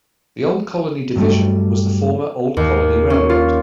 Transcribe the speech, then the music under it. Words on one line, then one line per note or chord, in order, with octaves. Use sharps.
The Old Colony Division was the former Old Colony Railroad.
G2 F#3 G3 A3
D#2
C#4
F4